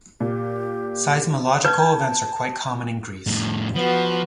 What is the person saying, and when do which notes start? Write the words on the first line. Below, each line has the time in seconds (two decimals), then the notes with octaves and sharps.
Seismological events are quite common in Greece.
0.20 A#2 G4
1.65 B4 A5 G6 G#6
3.27 F2 A2
3.76 F3 B3 F#4